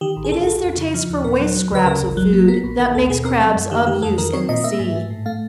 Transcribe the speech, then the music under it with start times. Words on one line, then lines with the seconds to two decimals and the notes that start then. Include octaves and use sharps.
It is their taste for waste scraps of food that makes crabs of use in the sea.
0.01 D#3 G4
0.17 A1
0.24 G#4
0.32 A#1 A4
0.41 G#4
0.47 A#1 A4
0.63 F2
0.78 C#3
0.94 F3
1.09 D#2
1.24 A#2 A#4
1.40 F#3
1.55 F#3
1.71 D2 B4
1.86 C#3 A#4
2.02 G#1
2.17 F#3
2.33 A#3
2.48 B3 A#4
2.63 A#1
2.79 D#3 A#4
2.94 D#2 A4
3.10 B2 G#4
3.25 C4 A#4
3.41 F#3 A4
3.56 F#2
3.71 D#3 G4
3.87 D#3 G4
4.02 F2 A4
4.18 D#3 A#4
4.33 C4 C#5
4.49 A#2 D#5
4.64 A#3 E5
4.79 G#2
4.96 A3
5.10 A2
5.26 A3 F5